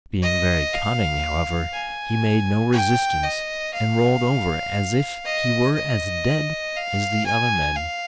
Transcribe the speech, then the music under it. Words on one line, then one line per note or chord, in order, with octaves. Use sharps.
Being very cunning, however, he made no resistance, and rolled over as if he were as dead as the other men.
D#5
F5
G#5
G5
D#5
F5
D#5
D#5
F5
G#5
F5